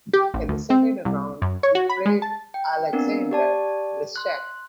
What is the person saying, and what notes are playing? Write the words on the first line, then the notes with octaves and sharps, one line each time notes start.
In the second round he played Alexander Grischuk.
G4
A1
D2
C4
C2
F#2
C#5
F#4
B5
G#3
A5
G5
B3 C4 D4 A#4
G4 D5 A5
C6 F#6